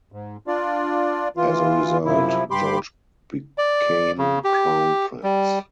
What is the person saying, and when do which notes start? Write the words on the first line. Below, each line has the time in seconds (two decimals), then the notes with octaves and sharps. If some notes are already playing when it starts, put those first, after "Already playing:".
As a result, George became Crown Prince.
0.12 G#2
0.47 D4 F4 D5
1.37 E3 F4
2.05 F#2 C3 F3 E4
2.51 G2 G4 B5 C6 D6
3.58 D5
4.18 C#3
4.44 G4
5.23 G3